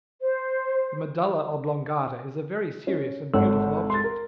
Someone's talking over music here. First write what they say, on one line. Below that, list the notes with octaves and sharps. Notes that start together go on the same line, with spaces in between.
The medulla oblongata is a very serious and beautiful object.
C5
C#4
G#1 G#3 A4 C#5 F#5 E6
C6 A6
A#4